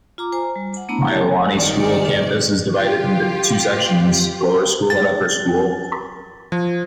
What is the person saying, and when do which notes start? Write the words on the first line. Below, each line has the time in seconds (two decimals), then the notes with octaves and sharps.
Iolani School's campus is divided into two sections: Lower School and Upper School.
0.18 F4 A#5 D6
0.32 C5 G#5 A#5
0.56 G3
0.77 F#5
0.89 A3 B3 D4 E4 A#5
1.07 E4 G4 D5 A5
1.53 G#1 G2 D#3 D5 C#7
2.75 F4 G4
4.90 A6
6.52 F3